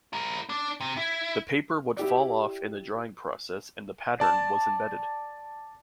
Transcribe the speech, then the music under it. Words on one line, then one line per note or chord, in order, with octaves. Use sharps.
The paper would fall off in the drying process and the pattern was embedded.
E4 A#4
D4 D5
C3
E4
E4 G4 D5
D5 A5